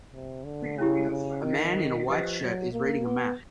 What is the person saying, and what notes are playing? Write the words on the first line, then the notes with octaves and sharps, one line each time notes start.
A man in a white shirt is reading a map.
C3
D3
C#3 C#4 E4 G4
C#3
D#3
F3 G4 B4 D#5
F#3
A#3
B3